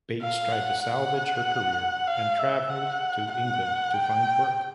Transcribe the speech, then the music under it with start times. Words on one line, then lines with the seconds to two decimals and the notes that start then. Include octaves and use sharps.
Bates tried to salvage her career and traveled to England to find work.
0.22 F5
0.52 F#5
0.84 F#5
2.08 F5
2.39 E5
2.70 F#5
3.33 F#5
3.94 G5